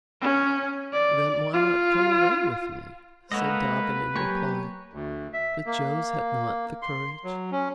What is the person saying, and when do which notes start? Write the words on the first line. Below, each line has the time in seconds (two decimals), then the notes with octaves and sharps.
"Then, why not come away with me?" said Dobbin in reply; but Jos had not the courage.
0.21 C#4
0.93 D5
1.54 F4
3.32 G#3 A#3 C#4 F#4 A4 B4 D#5
4.16 F#3 A#3 G4 G#5 C#6
4.93 D2
5.33 E5
5.66 A#3
6.82 C6
7.24 F#3
7.52 C#4